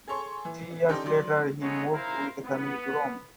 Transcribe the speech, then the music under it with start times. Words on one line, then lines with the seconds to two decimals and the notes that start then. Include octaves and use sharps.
Three years later, he moved with his family to Rome.
0.08 G#4 A4 C#5 C6 C#6
0.45 E3
0.88 C#4 D#4 G4 A4 D5 C6
1.05 F#3 D5 C6
1.62 G#3 B3 D#4 A4 C#5
1.94 E4 A#4 C5 F5 A#5 C6
2.46 B3